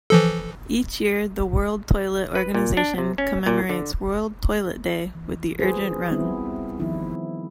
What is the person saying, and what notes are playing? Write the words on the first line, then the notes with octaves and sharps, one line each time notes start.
Each year, the World Toilet Organization commemorates World Toilet Day with the "Urgent Run".
E3 F3 A4
B4
A#2
D4
C3
C#4
A#2
D3
E3
F4 F#4 G#4 B4 C5
G3 B3 C4 E4
D#3 F3 B3 D#4 E4